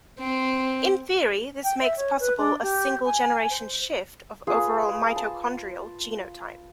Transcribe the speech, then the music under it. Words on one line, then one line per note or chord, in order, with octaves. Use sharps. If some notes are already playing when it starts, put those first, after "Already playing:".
In theory, this makes possible a single-generation shift of overall mitochondrial genotype.
C4
G5
E5
C#5
B4
D4
G4
G#5
C5
F4 G#4 B4
A5